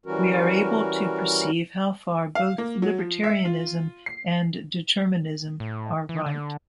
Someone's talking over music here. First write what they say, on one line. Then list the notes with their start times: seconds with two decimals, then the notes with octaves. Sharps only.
We are able to perceive how far both libertarianism and determinism are right.
0.06 E3 G3 C#4 F#4 A#4
2.35 F5
2.58 A#3
2.82 F#3
2.98 F3
3.24 E5
3.45 F4
4.06 C7
5.60 A2
6.09 E3
6.26 D3